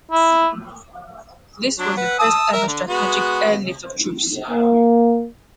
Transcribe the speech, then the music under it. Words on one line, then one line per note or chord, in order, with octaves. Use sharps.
This was the first-ever strategic airlift of troops.
E4
F#3 D4
B4 F#5
A5 D#6 E6
A#4 E5 A#5
D3
G#3 B3 F#4
A#3